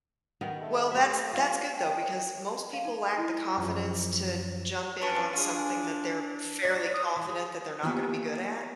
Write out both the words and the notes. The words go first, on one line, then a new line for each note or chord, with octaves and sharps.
Well, that's that's good though, because most people lack the confidence to jump in on something that they're fairly confident that they're not gonna be good at.
D#3 B3 A#4
G2 A4 E5
A3 G4 E5
G3 A3 F4
A#3 B3 A#4
G5
F5
D#4
E4
F#2 F3
C#4 D4 B4
D4 F4 G#4
D5
D#6
E3
G#4
A#3 B3 F4 G4 E5 G#5